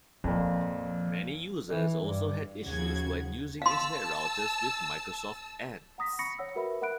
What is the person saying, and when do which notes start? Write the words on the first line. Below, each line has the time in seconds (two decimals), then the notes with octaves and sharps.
Many users also had issues when using internet routers with Microsoft Ants.
0.24 F2 A#2 F3
1.69 E3
2.03 G2
2.65 D#2 C#3 F3 F#4 G#6
3.62 F5 A5 C6 E6
5.98 F#5 A#5 D#6 A#6 B6
6.19 B5 C#6 A#6 C#7
6.39 C#5 F#5 E6
6.56 F#4 A#4 B4 E5 B5
6.81 A#4 E5 F#5 B5 F#6 D7